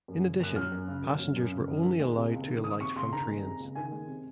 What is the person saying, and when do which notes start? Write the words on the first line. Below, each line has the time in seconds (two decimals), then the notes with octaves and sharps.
In addition passengers were only allowed to alight from trains.
0.08 F#2
0.24 C#3
0.40 F#2 F#6
0.56 F#3 F6
0.72 F#2
0.88 C#3
1.04 F#2
1.19 F#3
1.36 F#2
1.52 C#3
1.68 F#2
1.84 D#3
2.00 G#3
2.16 C3
2.32 C#2
2.47 D#3
2.64 G#3 D#6
2.80 C3 C#6
2.95 C#2 C6
3.12 D#3 A#5
3.28 G#3
3.43 C3
3.60 C#2
3.75 D#3 G#5
3.91 G#3
4.07 C3